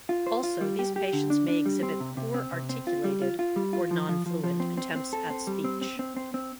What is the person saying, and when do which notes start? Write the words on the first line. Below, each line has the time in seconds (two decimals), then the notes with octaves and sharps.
Also, these patients may exhibit poor articulated, or non fluent, attempts at speech.
0.09 F4
0.27 C5
0.44 F4
0.61 G3
0.79 G4
0.96 G4
1.13 D3
1.30 D4
1.48 D4
1.66 G3
1.83 C4
2.00 C3
2.17 C3
2.34 C4
2.52 C3
2.69 C4
2.87 F4
3.04 G3
3.22 F4
3.39 F4
3.56 G3
3.73 F4
3.91 F3
4.09 F3
4.26 F3
4.44 F3
4.60 C4
4.77 C4
4.96 C4
5.13 A4
5.30 C4
5.47 G3
5.64 C4
5.81 C4
5.99 C4
6.16 C4
6.34 C4